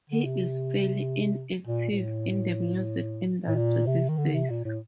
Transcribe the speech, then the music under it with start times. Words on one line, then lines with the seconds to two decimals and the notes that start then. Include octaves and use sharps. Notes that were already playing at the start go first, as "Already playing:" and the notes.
He is fairly inactive in the music industry these days.
0.09 D3
0.25 C3
1.67 A#2
1.90 A#2
1.98 A2
3.47 A2
3.56 A#2
3.86 C3
4.09 D#3
4.17 D3
4.34 C3
4.50 A#2
4.65 A2